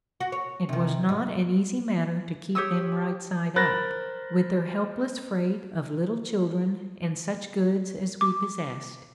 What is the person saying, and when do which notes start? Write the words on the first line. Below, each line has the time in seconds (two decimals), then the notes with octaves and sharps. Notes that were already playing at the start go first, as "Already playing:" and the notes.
It was not an easy matter to keep them right side up, with their helpless freight of little children and such goods as we possessed.
0.20 F#4
0.32 C#5
0.69 C3 D#3
1.09 G#2
2.55 G4 C#5 D#6 E6
3.56 A#4 C5 B5 F#6 A6 A#6
8.21 D6